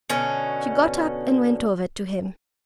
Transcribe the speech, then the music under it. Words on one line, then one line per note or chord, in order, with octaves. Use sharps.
She got up and went over to him.
B2 D3 C#4